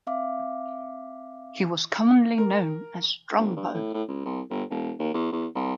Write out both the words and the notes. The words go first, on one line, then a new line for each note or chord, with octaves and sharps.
He was commonly known as Strongbow.
C4 E5 F5 D6
A#4
G1
G2
A2
A2
C#2
C2
G1
E1
D#2
E2
E2
C2